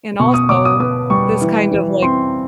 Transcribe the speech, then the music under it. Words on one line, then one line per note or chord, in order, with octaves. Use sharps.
And also, this kind of, like
B2 C#6
D#6
B2 D6
D#6
B3 D#6
G3 C#6
E3
E3
C4 C6